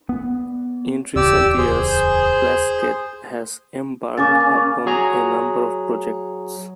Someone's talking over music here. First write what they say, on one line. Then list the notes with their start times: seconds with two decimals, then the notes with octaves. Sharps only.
In recent years, Plaskett has embarked upon a number of projects.
0.09 B3
1.16 D1 E2 C#3 G4 D5 E6
1.58 G#4 C5
4.17 C#3 A#3 C#4 D6 A6
4.40 C#4
4.86 F#3 G#4 C#5 A#5